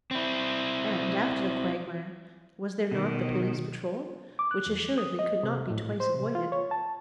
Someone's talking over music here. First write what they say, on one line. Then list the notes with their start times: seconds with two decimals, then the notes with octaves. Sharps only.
And after the quagmire, was there not the police patrol, which assuredly could not be twice avoided?
0.11 C4 E4
2.91 B2 D#3
4.39 D6
4.51 F#6
4.66 E2
4.98 D#6
5.19 D#5
5.43 C3
5.70 A2
6.00 C5
6.14 C3
6.35 F4
6.52 C#5
6.71 A5